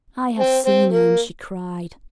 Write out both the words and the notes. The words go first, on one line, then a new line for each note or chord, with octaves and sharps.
"I have seen him!" she cried.
C4
C4
A#3